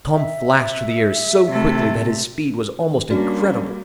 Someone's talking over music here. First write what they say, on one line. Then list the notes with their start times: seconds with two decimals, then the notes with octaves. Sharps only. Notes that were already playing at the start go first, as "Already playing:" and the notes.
Tom flashed through the air so quickly that his speed was almost incredible.
0.13 E5
1.49 C3 A3
3.11 G3 A#3 C#4 D4 F#4